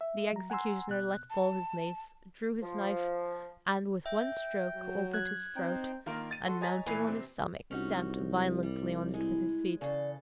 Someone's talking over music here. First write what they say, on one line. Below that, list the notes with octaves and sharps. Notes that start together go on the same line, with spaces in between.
The executioner let fall his mace, drew his knife, and with one stroke opened his throat, and mounting on his stomach, stamped violently on it with his feet.
E5
F#3 A#5
F#5 G#5 A#5 C6 E6
B2 F#6
A5
F3
E5 G5
F#3
F#6 G#6
C4 D#4 G5
D#3 A#3 F4 A#4
A6 D#7
F#4 A4 C6
C#5 D#5 G#5 A#5 A6 B6
A#2 E3 B4 G#5 C7 F7
C3 C4
C2 C#4 D#4 F#4
G3
G#3 E4
C#3 E3 A4 D5